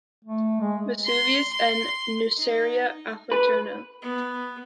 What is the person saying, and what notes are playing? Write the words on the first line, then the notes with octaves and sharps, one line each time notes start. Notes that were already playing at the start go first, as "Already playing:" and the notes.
Vesuvius and Nuceria Alfaterna.
A3
G#3
C6
C6
D#4
B4
B3